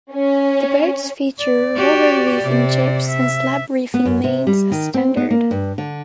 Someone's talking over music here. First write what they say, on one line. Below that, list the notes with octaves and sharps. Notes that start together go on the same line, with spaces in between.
The boats feature roller reefing jibs and slab reefing mains as standard.
C#4
D5
F#4 G4
C3
E5
B3
F#2
C3
G3
D#3
C4
B3
A#3
G2
D3